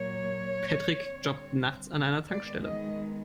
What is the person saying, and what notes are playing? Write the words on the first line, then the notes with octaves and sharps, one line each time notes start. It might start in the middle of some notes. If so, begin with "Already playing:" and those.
Patrick jobbt nachts an einer Tankstelle.
Already playing: A#2 F#3 A#3 C#5
D3 G3 C4
D#3 G#3 B3 D5
D#5